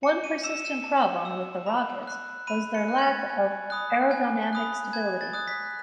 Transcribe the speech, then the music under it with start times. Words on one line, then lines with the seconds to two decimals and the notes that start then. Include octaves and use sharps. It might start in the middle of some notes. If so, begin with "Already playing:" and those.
One persistent problem with the rockets was their lack of aerodynamic stability.
0.03 A5 C#7
0.24 D#7
0.44 E6 E7
0.65 E7
0.84 A5
1.25 E6
1.66 B5
2.07 F#6
2.47 B5 D#7
2.75 C#7
2.88 F#6
2.98 G#6
3.02 A6
3.30 G#5
3.70 B5 D#6 F#6
4.11 G#5
4.53 B5 D#6 F#6
4.93 A5 G#6
5.21 A6
5.33 D#6 F#6
5.48 B6